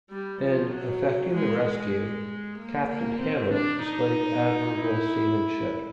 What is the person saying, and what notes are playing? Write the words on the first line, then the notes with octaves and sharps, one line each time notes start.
In effecting the rescue, Captain Hamlet displayed admirable seamanship.
G3
F3
F#3
G#3
G#3
A#3
A#3
C4
D4
D#4
E4